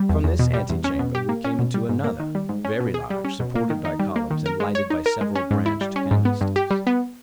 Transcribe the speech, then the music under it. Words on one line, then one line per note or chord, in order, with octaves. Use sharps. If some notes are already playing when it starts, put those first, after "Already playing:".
From this antechamber we came into another, very large, supported by columns, and lighted by several branched candlesticks.
Already playing: G3
E2
E2
B2
G3
E2
C#4
B2
G4
A#3
C#4
B2
G3
G#2
A#3
D#3
G3
G#2
C#4
B2
G#4
G3
C#4
B2
A#3
D#3
D#4
G3
A#3
D#3
A#4
G#3
C#5
D#4
A#4
G#3
C#4
G#2
E4
G3
C#4
G#2
B3
G2
G4
G3
B3